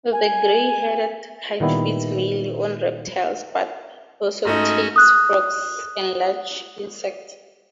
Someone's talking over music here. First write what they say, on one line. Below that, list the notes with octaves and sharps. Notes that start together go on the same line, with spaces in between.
The gray-headed kite feeds mainly on reptiles, but also takes frogs and large insects.
G#5
A#2 D#3 G3 B3 E4
G#2 A3 C#4 D#4 F#4
D#6 F#6